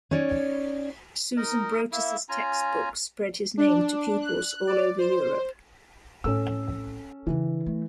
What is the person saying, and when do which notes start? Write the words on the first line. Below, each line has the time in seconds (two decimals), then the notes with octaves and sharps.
Susenbrotus' textbooks spread his name to pupils all over Europe.
0.11 C#4 D#4 C#5 D5
1.37 D#4 A#4 D#5
1.92 A#3 E4 E5
2.29 C#4 F4 G#5 A#5
3.57 D4
4.21 F#6
4.67 D5
4.98 C5
6.24 A2 C4 C#4 A4 E6
7.27 C#3 E3 D4
7.66 A3